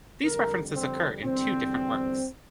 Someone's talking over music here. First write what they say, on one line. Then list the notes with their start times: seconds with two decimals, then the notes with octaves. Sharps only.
These references occur in two different works.
0.23 F2 D3 G3 A#4
0.73 C4
1.22 E2 D3 G3 C4